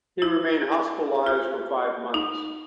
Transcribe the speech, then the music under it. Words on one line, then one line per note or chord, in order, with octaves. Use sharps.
He remained hospitalised for five months.
E4
F4
D#4